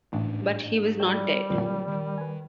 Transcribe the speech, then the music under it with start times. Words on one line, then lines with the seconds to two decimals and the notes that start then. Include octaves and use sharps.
But he was not dead.
0.13 A1 G#2 D4
1.00 G3 A4 C#5 G5
1.50 F2 A#2 D3 F#3
1.88 D#3
2.18 B4 G#5